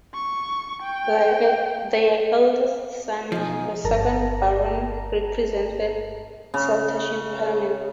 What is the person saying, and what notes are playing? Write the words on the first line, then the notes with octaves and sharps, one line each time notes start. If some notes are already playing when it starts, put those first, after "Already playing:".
Their eldest son, the second Baron, represented Saltash in Parliament.
C#6
G5
B1 F3 D#4 G#4
G1 G2 A#4 A5 A#5 A#6
C#3